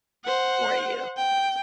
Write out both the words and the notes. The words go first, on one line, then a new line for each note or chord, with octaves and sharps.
for you.
C5 F#5
G5